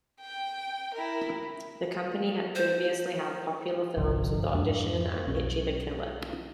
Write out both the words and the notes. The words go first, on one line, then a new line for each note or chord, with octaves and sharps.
The company had previously had popular films with "Audition" and "Ichi the Killer".
G5
E4 A#4
C5
G1 C2 F3
F2 G#2 D4
B1 C#4